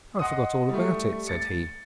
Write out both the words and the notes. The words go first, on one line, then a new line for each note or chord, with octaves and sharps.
'I forgot all about it,' said he.
D#5 F#5 C6 D#6
G3 A3
A6 C#7